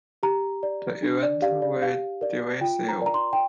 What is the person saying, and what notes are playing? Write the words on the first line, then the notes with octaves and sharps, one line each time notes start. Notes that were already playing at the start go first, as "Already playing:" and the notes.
The events were divisive.
G4 A#5
D5
D4
D5
G4 D5 F5
D5
G4 F5
A#4 D5
F4 G5
A#5
A#4 D5 A#5
C6
G5